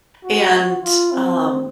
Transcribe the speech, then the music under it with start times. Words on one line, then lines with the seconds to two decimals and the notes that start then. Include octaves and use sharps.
and, um,
0.24 F#4
0.83 F4
1.12 C4